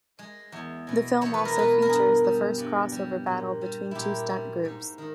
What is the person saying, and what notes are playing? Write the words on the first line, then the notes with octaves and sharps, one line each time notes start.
The film also features the first cross over battle between two stunt groups.
G#3
E2
B2 G#3
E2 C#5
B4
A#4
B2 G#3 B4
A#4
G2 G#4
G3
G2
G3
A#2
G3
A#2 E4 G4
G3
G#2
D#3